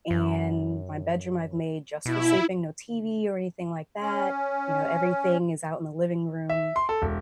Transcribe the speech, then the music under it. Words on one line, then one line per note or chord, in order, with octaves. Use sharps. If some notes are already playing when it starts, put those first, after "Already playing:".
and my bedroom I've made just for sleeping, no TV or anything like that, you know, everything is out in the living room,
F#2
B2 E4
C#4
E5
C6
A4
E1